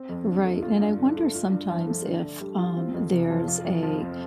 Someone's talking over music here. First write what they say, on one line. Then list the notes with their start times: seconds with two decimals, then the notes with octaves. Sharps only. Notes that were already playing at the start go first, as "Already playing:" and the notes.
Right, and I wonder sometimes if, um, there's a
Already playing: C4
0.09 F2
0.27 D3
0.45 A3
0.63 F4
0.80 G2
0.98 D3
1.16 A3
1.34 F4
1.52 G2
1.70 F3
1.87 A3
2.05 D3
2.23 D3
2.40 G3
2.58 F4
2.76 C4
2.94 F2
3.11 C3
3.30 F3
3.48 F4
3.65 F2
3.83 F3
4.01 C4